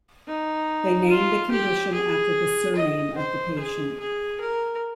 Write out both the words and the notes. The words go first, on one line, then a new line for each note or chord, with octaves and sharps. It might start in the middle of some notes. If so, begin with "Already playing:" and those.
They named the condition after the surname of the patient.
D#4
F4
G4
G#4
D#5
C5
G#4
G#4
A#4